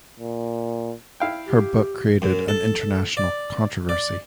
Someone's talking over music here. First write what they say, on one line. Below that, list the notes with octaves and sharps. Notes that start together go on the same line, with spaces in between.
Her book created an international controversy.
A#2
E4 F5 G5
G4
F#2
A4
D5
D5